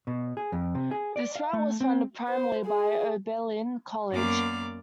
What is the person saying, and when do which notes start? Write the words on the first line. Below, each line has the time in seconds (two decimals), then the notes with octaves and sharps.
This route was funded primarily by Oberlin College.
0.07 B2
0.37 G#4
0.52 F2
0.75 C3
0.91 G#4
1.16 D5
1.35 F5
1.53 A3
1.81 C4
2.29 C5
2.65 G#4
4.11 F#2 A#3 B3 D5 D6 F6